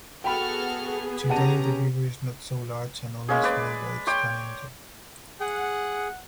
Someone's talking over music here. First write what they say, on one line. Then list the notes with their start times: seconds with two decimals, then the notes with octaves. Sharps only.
Today, the river is not so large and only small boats can enter.
0.24 B3 F#4 G#4 A4 G5 B5 F6
1.30 C#4 G4 F#5 A5 A#5 D#7
3.28 G#3 A#3 C#4 G#4
3.43 B4 D5
4.07 C#5 G5 C6 D6
5.40 G#4 F#5